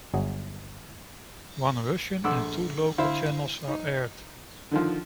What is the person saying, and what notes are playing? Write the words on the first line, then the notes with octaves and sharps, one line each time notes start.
One Russian and two local channels are aired.
G1 F#3 G#4
A#1 A3 F#5 C6 D6 E6
D2 E4 C5 E5 F5 C6
D#4
D3 D#3 F3